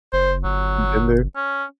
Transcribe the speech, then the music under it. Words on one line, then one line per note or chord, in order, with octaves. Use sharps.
you been there?
F#1 C5
G1 F#3
C#4